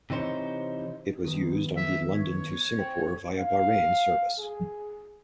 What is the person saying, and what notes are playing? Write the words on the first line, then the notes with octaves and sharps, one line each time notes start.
It was used on the London to Singapore via Bahrain service.
C3 E3 D#4 C5 C#5
D#3 F#3 B3
E5
C#5
C5 G5
F5
G#4